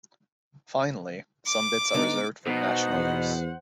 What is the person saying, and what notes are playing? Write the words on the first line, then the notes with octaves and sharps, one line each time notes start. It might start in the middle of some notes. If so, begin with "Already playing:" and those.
Finally, some bits are reserved for national use.
D6
D3 B3 D#4
B2 D#4 C5 F#5
E2